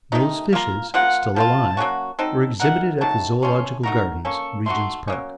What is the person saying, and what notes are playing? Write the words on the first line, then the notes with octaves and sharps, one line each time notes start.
Those fishes--still alive--were exhibited at the Zoological Gardens, Regent's Park.
C3 D#3 A3 D#4
A#3 F4 A#4
F3 A#3 F4 F#5
F3 C4 F4 A5
F#3 A#3 C#4 F#4
F#3 C4 D#4 A4
A3 D#4 A#4 F#5
C3 D#3 F#3 A5
F3 A3 C#4 C6
A3 D#4 F#4 A#4 A#5
A#3 C#4 A4 C#6
A3 C4 D#4 F#4 C6
F#3 A#3 C#4